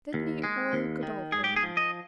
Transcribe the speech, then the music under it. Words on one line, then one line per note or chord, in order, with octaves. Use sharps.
"Sidney Earl Godolphin."
D#2
G#3
D#2
D#3
G#2 G#4
G4
G#4
F3
D#5